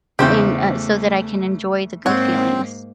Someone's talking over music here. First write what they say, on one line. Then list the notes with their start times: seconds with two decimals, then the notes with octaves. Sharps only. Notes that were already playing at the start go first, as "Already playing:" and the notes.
en uh, so that I can enjoy the good feelings,
0.19 E2 C#3 A3 G4 C5 G5
2.06 G#2 A#3 C4 C#5 F#5